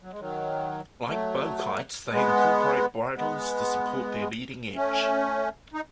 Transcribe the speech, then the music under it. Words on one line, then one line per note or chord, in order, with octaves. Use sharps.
Like bow kites, they incorporate bridles to support their leading edge.
F#3
G#3
D#3 F#3
F#3 A3
G#3 B3
G#3 B3
A3 C#4
D#4